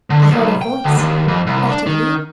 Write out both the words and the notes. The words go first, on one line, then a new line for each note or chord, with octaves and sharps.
I heard a voice, that of Leo.
D3
B1
G5
D2
D#2
F2
C2
D4
D#3